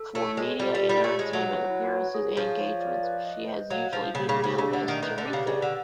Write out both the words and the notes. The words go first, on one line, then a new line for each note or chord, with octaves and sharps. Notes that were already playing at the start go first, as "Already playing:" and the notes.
For media and entertainment appearances and engagements she has usually been billed as Tarita.
Already playing: A4
A3 C#5
G#3 A4
G3 F4
G3
F4
G3
A3 C#5
G#3
C#5
F#3
B4
E4
C#5
G#4
F3 C#5
C#5
D5
B4
D#5
C5
F#3 F5
F3 C5
C#3 A#3
C#3
G4
C#3
C#3 D4
D3
A3
D#3
D#3 B4
D3
G4
C#3
C#3 D5
D3